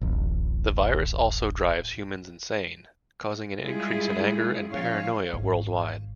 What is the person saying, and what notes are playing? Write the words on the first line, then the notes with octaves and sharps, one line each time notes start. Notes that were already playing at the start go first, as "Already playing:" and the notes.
The virus also drives humans insane, causing an increase in anger and paranoia worldwide.
D1 A1
G3 G#3 E4 F4 G#4
A#2 F3 C#4 C#5 F5
G#1